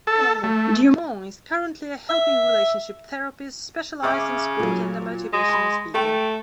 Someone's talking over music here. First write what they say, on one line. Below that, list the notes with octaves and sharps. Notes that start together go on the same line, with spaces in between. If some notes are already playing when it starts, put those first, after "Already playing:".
Dumont is currently a helping relationship therapist specialized in sport and a motivational speaker.
A4
A3
E5
C#3 E5 D6 F6
A#2 F#3
G#3
B5 C6
A3 A4 G5 A5